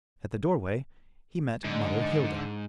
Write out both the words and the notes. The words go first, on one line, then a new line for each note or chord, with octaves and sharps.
At the doorway he met Mother Hilda.
G#2 D3 D#5